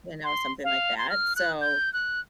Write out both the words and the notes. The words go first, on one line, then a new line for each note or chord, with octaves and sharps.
you know, something like that, so,
C6
F5
C6
F6
F#6
G6
F#6